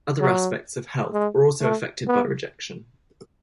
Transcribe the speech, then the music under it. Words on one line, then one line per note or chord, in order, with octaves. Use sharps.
Other aspects of health are also affected by rejection.
F#3
G#3
A3
B3